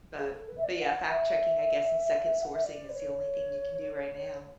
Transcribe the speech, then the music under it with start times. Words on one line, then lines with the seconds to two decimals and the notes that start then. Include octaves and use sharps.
but but, yeah, fact checking, I guess, and second sourcing is the only thing you can do right now,
0.18 G#4
0.33 A4
0.48 B4
0.58 E5
0.63 D5
0.80 F#5
1.05 F#5
1.10 E5
2.43 F#5
2.54 E5
2.64 D5
2.89 B4
2.95 C#5